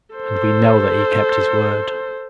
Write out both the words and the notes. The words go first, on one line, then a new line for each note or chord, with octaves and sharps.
And we know that he kept his word.
A4 C5